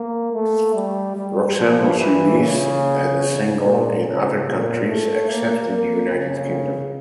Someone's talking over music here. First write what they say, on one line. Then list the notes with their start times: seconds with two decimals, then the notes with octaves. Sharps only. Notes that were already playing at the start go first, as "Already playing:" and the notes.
"Roxanne" was released as a single in other countries except the United Kingdom.
Already playing: A#3
0.33 A3
0.75 G3
1.16 G3
1.57 F3
1.99 E3
2.40 C#3
3.63 A#2
4.06 C#3
4.47 A#2
4.88 A3
5.29 A#3
5.70 A#3
6.12 C#3